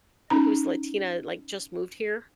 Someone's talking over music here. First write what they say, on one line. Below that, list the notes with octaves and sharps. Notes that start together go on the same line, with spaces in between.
who's Latina, like, just moved here
C#4 D#4 A#5